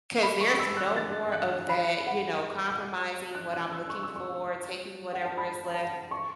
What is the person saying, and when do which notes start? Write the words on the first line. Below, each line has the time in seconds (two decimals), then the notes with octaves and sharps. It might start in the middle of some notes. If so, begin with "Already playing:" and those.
'Cause there's no more of that, you know, compromising what I'm looking for, taking whatever is left,
0.23 B5
0.41 C#6
0.59 E6
0.77 F#6
0.96 A6
1.32 F#6
1.69 B5
2.06 F#5
3.35 F#6
3.53 F#6
3.72 E6
3.90 C#6
4.03 E6
4.16 C#6
5.13 F#5
5.25 A5
5.37 B5
5.74 A5
6.11 C#6